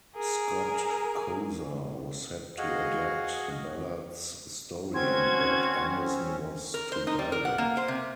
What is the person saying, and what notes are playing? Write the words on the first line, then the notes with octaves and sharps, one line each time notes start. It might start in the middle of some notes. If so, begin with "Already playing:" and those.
Scott Kosar was set to adapt Ballard's story, and Brad Anderson was to direct.
G#4 A#4
F#4 G#4 D#5 F5 F#5
C4 C#4 F#4 C5 G#6
A#4
C5
D#4
G3
A#4
F#5
A#3
C5
C3